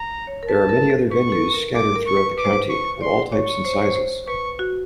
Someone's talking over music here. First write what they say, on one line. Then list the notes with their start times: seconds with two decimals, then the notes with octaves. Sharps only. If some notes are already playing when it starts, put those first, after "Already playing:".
There are many other venues scattered throughout the county, of all types and sizes.
Already playing: A#5
0.27 C#5
0.43 A#4
0.48 B4 A5
0.69 A#4
0.90 A4
1.11 B4 C#6
1.32 A4
1.54 A#4
1.75 A4 D6
1.96 A#4
2.07 C#6
2.17 B4
2.38 B4 D6
2.45 C5
2.53 B4
2.69 C#6
3.01 D5 C6
3.32 C#5 C#6
3.65 C5
3.73 C#5
3.83 C5
3.96 C5
4.27 B4 C#6
4.59 F#4